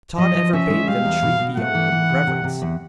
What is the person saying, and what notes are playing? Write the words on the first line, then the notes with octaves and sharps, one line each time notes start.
Tod ever bade them treat the young lord with reverence.
F3 D#5
F3
C#4 E5
G#3
G3 F5
E2
B2
B2
A3 F#5
E3
E3
C#3
C3
C3
E2